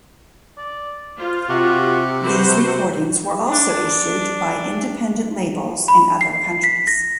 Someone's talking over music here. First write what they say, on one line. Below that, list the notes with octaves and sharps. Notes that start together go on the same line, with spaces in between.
These recordings were also issued by independent labels in other countries.
D5
F4 C5
C3 F#4 G4
F#4 B4 C5
D4
B5
C7
B6
A#6